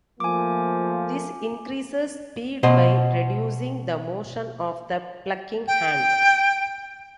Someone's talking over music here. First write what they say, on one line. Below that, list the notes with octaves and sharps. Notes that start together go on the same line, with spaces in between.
This increases speed by reducing the motion of the plucking hand.
F3 A3 A#3 G#5 D6
B2 C5 D#5
G5